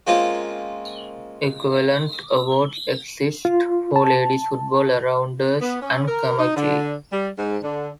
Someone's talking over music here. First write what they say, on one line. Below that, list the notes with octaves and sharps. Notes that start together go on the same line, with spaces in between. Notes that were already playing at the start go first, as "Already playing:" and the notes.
Equivalent awards exist for ladies' football, rounders and camogie.
G#3 A#3 C4 C#4 F4
F4
A5
B3
C#4
A#4
D#4
D3
G3
G#2
D3